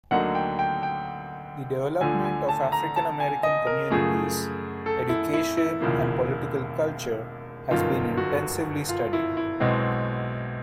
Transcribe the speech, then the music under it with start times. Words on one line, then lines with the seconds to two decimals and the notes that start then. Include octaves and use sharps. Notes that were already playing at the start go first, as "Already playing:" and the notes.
The development of African-American communities, education and political culture has been intensively studied.
0.11 D2 D3 F#3 A#3 D#4 F#5
0.35 G5
0.59 G5
0.83 G5
2.01 D2 D3 F3 G#5
2.25 G#5
2.48 A5
2.72 A#5
2.96 A5
3.20 G#5
3.43 D#5
3.67 A#4
3.90 F#2 C#3 F3 A3 G#4
4.86 A4
5.09 E4
5.33 E4
5.57 E4
5.80 E1 D#2 C#3 F3 A#3
7.71 G1 F#2 D#3 F4
8.17 F#4
8.89 F4
9.13 E4
9.37 E4
9.60 B1 B2 G#3 C4